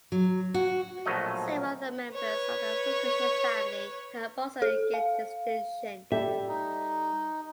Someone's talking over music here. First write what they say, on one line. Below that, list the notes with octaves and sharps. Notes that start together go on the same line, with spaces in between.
Several other members of the Fergusson family have also gained distinction.
F#3
F#4
A#1 B2 F3 F#3 A3 D#5
B4 C#5
A4
F5
G3 G4 A4 E5
D#4